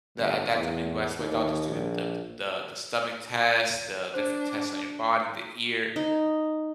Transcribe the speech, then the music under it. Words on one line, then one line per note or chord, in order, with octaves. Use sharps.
Tha that's I mean, that's why doctors do the the the the stomach test, the different tests on your body, the ear,
G1
E2
D#2
A#1
D4 C5
D#4